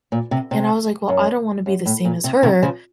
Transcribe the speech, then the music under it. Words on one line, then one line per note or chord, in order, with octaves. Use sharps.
and I was like, "Well, I don't wanna be the same as her,
A#2
C3
C3
F#2
F#2
A2
A#2
C3
C3 D#3
C#3 F3